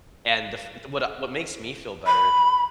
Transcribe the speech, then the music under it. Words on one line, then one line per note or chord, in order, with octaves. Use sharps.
and the f what I what makes me feel better,
B5